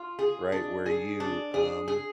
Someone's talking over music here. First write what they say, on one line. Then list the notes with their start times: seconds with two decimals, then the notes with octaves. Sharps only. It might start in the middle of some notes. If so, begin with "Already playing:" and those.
right, where you, um,
Already playing: F4
0.19 G#4
0.52 D4
0.86 G#4
1.20 D4
1.54 G#4
1.88 G#4